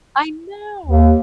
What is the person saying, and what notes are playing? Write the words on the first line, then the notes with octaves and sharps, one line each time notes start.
I know.
D#2